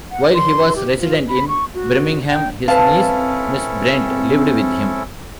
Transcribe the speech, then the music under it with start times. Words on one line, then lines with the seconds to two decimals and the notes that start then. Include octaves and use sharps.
While he was resident in Birmingham his niece, Miss Brent, lived with him.
0.11 F#5
0.34 C6
0.76 G4
1.00 F4
1.28 B5
1.48 C#6
1.74 F#4
2.29 G5
2.68 C4 C#4 E4 A4 B4 F5 A5